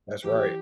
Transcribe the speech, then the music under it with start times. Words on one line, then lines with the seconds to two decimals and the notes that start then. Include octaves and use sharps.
That's right.
0.24 E2 G4